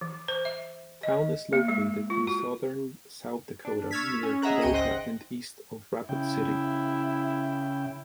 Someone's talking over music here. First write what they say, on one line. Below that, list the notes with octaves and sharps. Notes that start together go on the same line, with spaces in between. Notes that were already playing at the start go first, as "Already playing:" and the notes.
Town is located in southern South Dakota near Kadoka and east of Rapid City.
E3
C5
E5
D#5
A#3
G#3
F4
F#4
D4
C#6 E6 F6 G#6 A6 B6
C#4
G#4 D#5 E5 F#5 A#5 F#6
G#1 C#2 G5 C#7 D#7
C5 D#5 F#5 G5 F#6 A#6
C#3 E4 G5